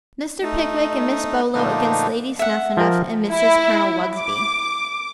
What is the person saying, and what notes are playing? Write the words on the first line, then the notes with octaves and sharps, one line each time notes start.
Mr. Pickwick and Miss Bolo against Lady Snuphanuph and Mrs. Colonel Wugsby.
A3 D#4
A#2 D3 F3 A3 D4 D#4
E5 F#5
F3 A#4
E4
D6